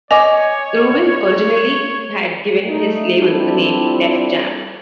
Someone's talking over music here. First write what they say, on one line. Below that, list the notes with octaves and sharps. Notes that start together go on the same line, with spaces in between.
Rubin originally had given his label the name "Def Jam".
C#5 D#5 G#5 D6
A3 D#4
G3 C4 D4 E4 F4 A4